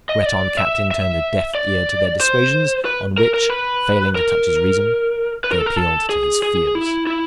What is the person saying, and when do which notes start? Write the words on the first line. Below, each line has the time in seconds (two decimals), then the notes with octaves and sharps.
The Breton captain turned a deaf ear to their dissuasions; on which, failing to touch his reason, they appealed to his fears.
0.09 D#5
0.26 D5
0.57 E5
0.91 E5
1.55 D5
2.21 C5
2.85 B4
3.18 A#4
3.34 A#4
3.50 B4
4.15 A#4
5.44 B4
5.52 A#4
5.58 A4
5.66 A#4
5.77 A4
6.09 G#4
6.43 G#4
6.75 E4
7.07 E4